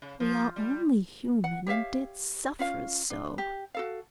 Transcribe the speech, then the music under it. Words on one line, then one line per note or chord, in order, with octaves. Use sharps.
We are only human, and did suffer so.
C#3
F3
G3
F#5
G4 C#5 E5 F5
C#4 F4 F5
D4
G4
F#4 A4 F5